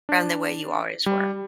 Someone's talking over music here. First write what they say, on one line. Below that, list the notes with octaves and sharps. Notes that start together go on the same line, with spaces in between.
from the way you always were.
D4
G3